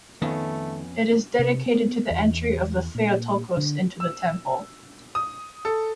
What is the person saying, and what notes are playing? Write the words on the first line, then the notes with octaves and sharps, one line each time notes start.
It is dedicated to the Entry of the Theotokos into the Temple.
F2 D#3 A3 B3 C#4
C3
B3
E2
A#2
D3
E6
D#6
A4